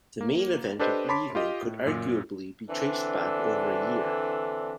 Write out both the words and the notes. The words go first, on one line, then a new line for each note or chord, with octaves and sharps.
The main event of the evening could arguably be traced back over a year.
A#3
D4 G4 A4 B4 C5 D#5
C#5 A5 B5 C6 D6 B6
F4 G4 D#5
A2
F#2 A#2
D3 E3 C4 D4 A4